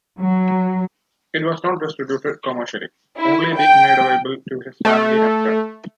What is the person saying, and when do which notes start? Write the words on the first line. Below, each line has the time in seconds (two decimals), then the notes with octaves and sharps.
It was not distributed commercially, only being made available to his family and friends.
0.20 F#3
3.18 E4
3.57 G5
4.85 A3